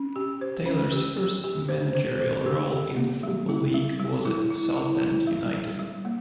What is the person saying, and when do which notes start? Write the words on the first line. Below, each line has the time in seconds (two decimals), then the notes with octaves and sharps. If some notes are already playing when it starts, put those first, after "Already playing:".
Taylor's first managerial role in the Football League was at Southend United.
Already playing: C#4
0.16 G4
0.41 C5
0.66 C#4
0.92 G4
1.17 G4
1.44 G4
1.69 C5
1.95 C5
2.20 C5
2.46 G4
2.71 G4
2.96 A#3
3.23 G3
3.49 E4
3.74 G3
4.00 G3
4.25 E4
4.51 E4
4.77 E4
5.02 E4
5.27 G3
5.53 G3
5.79 G3
6.05 A#3